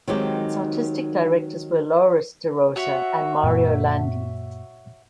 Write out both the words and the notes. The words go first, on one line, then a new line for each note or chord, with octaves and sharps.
Its artistic directors were Loris de Rosa and Mario Landi.
D#3 F#3 G#3 C4 D#4 G4
F#4 C#5 E5
F#2 A#2 A#3